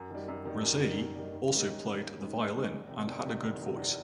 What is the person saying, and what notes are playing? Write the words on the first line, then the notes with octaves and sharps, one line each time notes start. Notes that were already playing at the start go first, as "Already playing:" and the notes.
Rezaei also played the violin and had good voice.
Already playing: F#2
D#3 G3
F#2
D#3 G3
F#2
D#3 G3
F#2
D#3 G3
D#2
D#3 G#3 C#4
D#2
D#3 G#3 C#4
D#2
D#3 G#3 C#4
D#2
D#3 G#3 C#4
E2
C3 D#3
E2
C3 D#3
E2
C3 D#3
E2